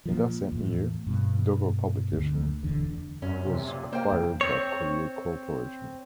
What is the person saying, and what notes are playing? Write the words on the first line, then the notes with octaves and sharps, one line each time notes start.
In that same year, Dover Publications was acquired by Courier Corporation.
A#2 F3
E2 A2
G2 B2
D2
E1 E2 D3
F#2 C#4
C3
A#2
A#3 C5 G5
E2
C4 C#5